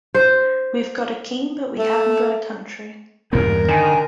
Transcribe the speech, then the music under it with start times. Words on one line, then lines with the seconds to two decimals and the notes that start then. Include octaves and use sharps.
We've got a King, but we haven't got a country.
0.14 C5
1.78 A3
3.33 E2 G2 B3 A#4
3.68 D3 D#3 G#5